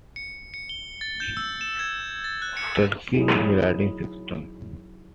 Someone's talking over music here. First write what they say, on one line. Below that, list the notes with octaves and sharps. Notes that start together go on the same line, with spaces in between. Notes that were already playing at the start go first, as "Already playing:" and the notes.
Turnkey grading system.
C#7
C#7
G7
A6
G6
E6
E7
G#6
A6
F#6
C#7
F#3 D#4 E4 G#4